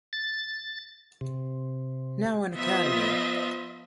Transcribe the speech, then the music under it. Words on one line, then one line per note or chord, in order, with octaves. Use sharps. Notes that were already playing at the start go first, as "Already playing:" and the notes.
Now an Academy.
A6
C3
F3 B3 F4 D#5 E5